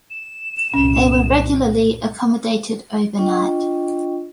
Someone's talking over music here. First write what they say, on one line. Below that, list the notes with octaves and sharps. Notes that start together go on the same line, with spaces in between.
They were regularly accommodated overnight.
E7
C2 F#2 A#2 C#4
D4 F4 D#5 G5 C#6